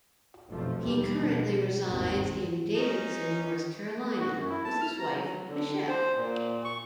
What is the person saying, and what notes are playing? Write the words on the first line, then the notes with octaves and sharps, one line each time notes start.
He currently resides in Davidson, North Carolina with his wife Michelle.
F1 B1 F2 F3 A3
D#2 G3
B2 F3
G1 D#2 G#2 D#3 C4
C#4 D#4
F#4
F#2
E4
A5
F6
A#5
F#3
D3
C5
A#2
C#6